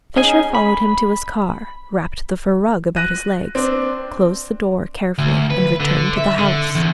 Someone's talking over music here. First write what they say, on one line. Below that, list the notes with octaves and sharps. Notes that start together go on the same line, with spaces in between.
Fisher followed him to his car, wrapped the fur rug about his legs, closed the door carefully and returned to the house.
C#4 D#4 G#4 D#5 G#5
B5
F#6 A#6 D#7
C4 D4
D2
B4
D3
E5
D3
E2